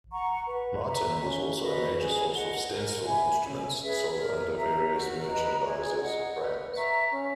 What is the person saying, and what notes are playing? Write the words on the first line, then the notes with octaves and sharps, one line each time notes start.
Martin was also a major source of "stencil" instruments sold under various merchandisers' brands.
F#5 A#5 C#6
B4
E5 A#5
C#4
F#4 B4 D#5
G#4
D#5 F#5
A#4
E5 G#5 B5
C#4
G#4 B4 E5
A#4
E5 A#5
F#4
B4 D#5 A#5
G#4
D#5 F#5
B4
E5 A#5 C#6
C#4